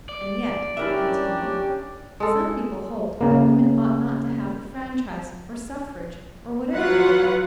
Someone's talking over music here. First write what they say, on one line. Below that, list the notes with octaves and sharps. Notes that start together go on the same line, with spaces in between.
And yet," I continued, "some people hold that women ought not to have the franchise, or suffrage, or whatever it is!
D5
C#4 D4 E4 G4 A#4 E5
G#3 A4
C#3 A#3
F#3 F4 B4 F#5